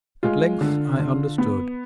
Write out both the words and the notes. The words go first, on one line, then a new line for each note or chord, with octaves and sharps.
At length I understood.
G#3 F4
D3
D3
B3